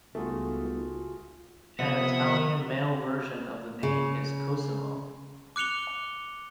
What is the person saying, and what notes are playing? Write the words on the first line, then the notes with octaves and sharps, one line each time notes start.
An Italian male version of the name is "Cosimo".
C#2 G3 A3 B3 D#4 F4 F#4 G#4
C3 F3 B3 E5 F#5 D#6
C#3
D6 F#6 C#7 F7 G7